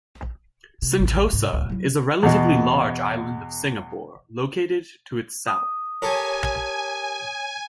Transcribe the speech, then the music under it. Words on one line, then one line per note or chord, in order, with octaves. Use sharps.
Sentosa is a relatively large island of Singapore located to its south.
C3
A1 D#2
C2 G#2
D1 C#2
F#3 E4
E2 B2
D#6
G4 A4 A#4 C#5 G#5